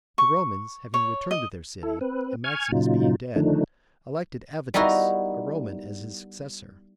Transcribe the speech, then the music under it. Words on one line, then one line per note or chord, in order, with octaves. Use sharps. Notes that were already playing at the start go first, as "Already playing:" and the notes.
The Romans, having returned to their city, and Maximus being dead, elected Avitus, a Roman, as his successor.
C#6
C#5
D#5
E4 A4
C4 B4
G#5 C#6 F6 G#6
A#2 C#3 F#3 D#4 F4
D3 D#3 F3 A3 D4 D#4
G3 B3 D#4 E4 F#4 A#4